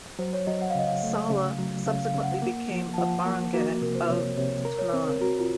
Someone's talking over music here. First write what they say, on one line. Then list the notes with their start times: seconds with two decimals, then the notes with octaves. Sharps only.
Sala subsequently became a barangay of Tanauan.
0.19 F#3 C5
0.33 C#5
0.47 F#3 D#5
0.62 F#5
0.70 F5
0.75 C#3 D#5
0.87 F5
1.03 A3
1.30 C#3
1.59 F#3
1.86 C#3 F5
2.05 F5
2.14 C#3
2.23 F#5
2.42 A#3
2.70 F3
2.94 A5
2.98 F3 F#5
3.26 A#3
3.53 A#3 F#4
3.81 C3 A#4
3.95 C5
4.10 C3 C#5
4.37 C3 C#5
4.65 A#4
4.79 C#5
4.92 C4 C5
5.07 A#4
5.21 F#4 A#4
5.39 F4